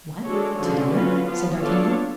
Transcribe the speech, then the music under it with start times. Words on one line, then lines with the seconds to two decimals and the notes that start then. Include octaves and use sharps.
"What! to dinner?" said D'Artagnan.
0.24 G#3 D4 F#4 A4 C#5
0.58 D3 F3 G#3 C#4 F#4
0.92 F#3 C#4 F4 B4
1.26 F3 B3 F4
1.60 B3 D4 F4 A4 C#5